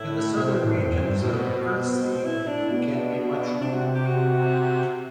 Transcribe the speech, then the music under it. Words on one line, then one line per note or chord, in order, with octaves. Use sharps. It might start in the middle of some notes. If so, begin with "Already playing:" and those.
In the southern regions of Earthsea it can be much warmer.
Already playing: A2 E4
B2
C3 C4
B2
A2
G2
E2
F#2
G2
A2
B2 C4
B2 E4
A2
A2 D4
A2
B2 D4
C3 D4
F#4
G4
F#4